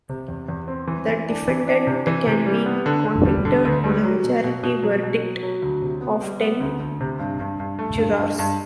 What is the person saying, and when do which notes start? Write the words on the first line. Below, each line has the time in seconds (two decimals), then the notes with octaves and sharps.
The defendant can be convicted on a majority verdict of ten jurors.
0.10 C3
0.28 E2
0.48 E2
0.68 C4
0.87 E3
1.08 E3
1.28 D4
1.48 E3
1.67 D4
1.87 C3
2.07 E3
2.27 C3
2.46 G3
2.66 B3
2.86 D3
3.05 D3
3.25 G3
3.45 D3
3.65 D2
3.84 G3
4.04 F#3
4.24 B2
4.44 B2
4.63 B2
4.83 F#3
5.03 B2
5.22 F#3
5.43 F#3
5.62 D2
5.82 C3
6.01 B3
6.22 G3
6.40 B3
6.60 D2
6.80 D2
7.01 C3
7.19 G2
7.40 G2
7.60 G2
7.79 A3
7.98 G2
8.18 G2
8.39 G2